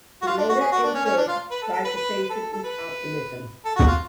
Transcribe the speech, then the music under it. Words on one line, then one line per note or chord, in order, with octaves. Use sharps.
Elena and Jake try to face it with optimism.
F#4
F4
D4
F#4
G#4
F#4
D4
C#4
C#4
D4
F4
B4
A4
A4
B4
B4
B4
A4
A4
B4
A4
F#4
F4